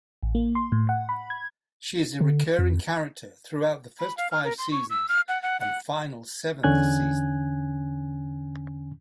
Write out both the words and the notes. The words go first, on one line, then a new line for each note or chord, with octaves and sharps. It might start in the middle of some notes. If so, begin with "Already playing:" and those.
She is a recurring character throughout the first five seasons and final seventh season.
A1
A#3
C6
A2
F#5
B5
G#6
D3
F2
B5
F5
F6
A#4
C6
C#6
E6
F6
F#5
F#5
F#5
E2 D3 C#4 G#5 F#6 G#6